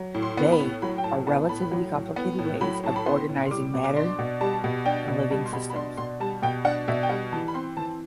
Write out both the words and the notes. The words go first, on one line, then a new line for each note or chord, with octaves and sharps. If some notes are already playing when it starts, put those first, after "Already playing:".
They are relatively complicated ways of organizing matter and living systems.
Already playing: F#3
A2
C6
B3
B5
A2
F#3 B5
G5
A2 A5
B3 A5
A5
A2 B5
F#3
A2
B3
A2
F#3 B5
A2 A5
B5
B3 C6
A2
C6
G3 D6
B2
D6
D4 C6
B2
G3 A5
B2
D4 G5
B2
G3 A5
C6
B2 B5
B5
D4 C6
B2 C6
G3 A5
B2 G5
D4 F#5
B2 E5
G5
G3 F#5
E3 A5
B5
C4 C6
E3 A5